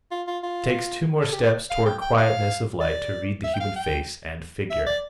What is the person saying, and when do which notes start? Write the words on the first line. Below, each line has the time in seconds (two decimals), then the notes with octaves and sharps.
It takes two more steps toward quietness of light to read the human face and figure.
0.11 F4
0.27 F4
0.43 F4
1.22 A4
1.33 G4
1.43 D5
1.70 F5
1.85 G5
2.02 G5
2.18 F5
2.81 D5
3.44 E5
3.54 G5
3.60 F5
3.76 G5
4.70 E5
4.86 D5